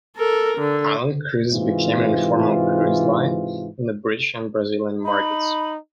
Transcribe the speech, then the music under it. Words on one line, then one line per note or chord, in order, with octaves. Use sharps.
Island Cruises became an informal cruise line on the British and Brazilian markets.
A4 A#4
D3
G#2 C3 E3 F4
D#4 B5